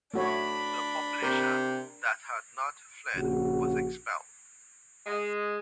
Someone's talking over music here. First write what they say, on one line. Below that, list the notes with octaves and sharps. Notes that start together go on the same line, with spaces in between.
The population that had not fled was expelled.
A3 D4 F#4 C#5 B5
C3 A#4
A#1 C#3 F#4
G#3